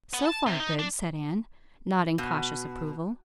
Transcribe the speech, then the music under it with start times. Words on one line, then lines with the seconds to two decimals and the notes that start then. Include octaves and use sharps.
"So far, good," said Anne, nodding cautious approval.
0.14 B3
0.26 A5
0.47 C3
0.60 D#4
0.79 D4
2.18 B2